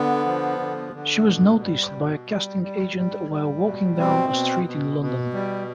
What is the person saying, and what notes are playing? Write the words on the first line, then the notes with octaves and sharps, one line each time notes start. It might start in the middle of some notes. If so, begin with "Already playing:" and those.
She was noticed by a casting agent while walking down a street in London.
Already playing: D3 B3
F3
D3
D3
B2
G3
B2
G3
G3
G3
G3
B2
B2 C4
B2
B2
B2
G3